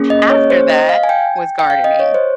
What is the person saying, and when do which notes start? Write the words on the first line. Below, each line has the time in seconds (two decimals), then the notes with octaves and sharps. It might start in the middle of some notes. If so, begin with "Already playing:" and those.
after that was gardening,
Already playing: A#3 C#4 G#4
0.10 D#5
0.30 C#5
0.50 C5
0.70 D#5
0.89 F5
1.04 G#5
1.09 G5
1.59 G5
1.70 F5
1.84 D#5
1.99 C#5
2.14 C5